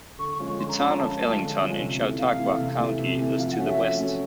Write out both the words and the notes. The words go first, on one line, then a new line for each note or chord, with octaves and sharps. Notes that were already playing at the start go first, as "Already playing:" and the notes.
The town of Ellington in Chautauqua County is to the west.
D3 C#6
C#6
F3 G#3 C#4 F4
C#6
D3 C6
A#5
F3 G#3 C#4 F4 B5
A#5
D3 A5
F3 G#3 C#4 F4
D3
F3 G#3 C#4 F4
C3
E3 A3
C3 F5
E3 A3
C3
E3 A3
C3
E3 A3
F3 F5
F#5
A3 C#4 F#4
E5
F3
A3 C#4 F#4